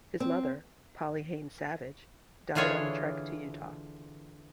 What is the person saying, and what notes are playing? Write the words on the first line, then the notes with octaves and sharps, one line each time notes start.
His mother, Polly Haynes Savage, died on the trek to Utah.
C4
D3 E3 F4 G#4 C#5